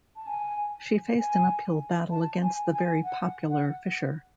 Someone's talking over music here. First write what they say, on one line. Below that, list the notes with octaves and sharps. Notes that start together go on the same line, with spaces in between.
She faced an uphill battle against the very-popular Fisher.
A5
G#5
G#5
A5
G#5
G#5
F#5
F#5